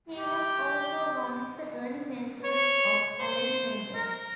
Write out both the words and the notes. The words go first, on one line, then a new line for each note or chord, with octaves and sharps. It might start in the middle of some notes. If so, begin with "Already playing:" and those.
He was also one of the early members of Iron Maiden.
G4
C#5
C5
A#4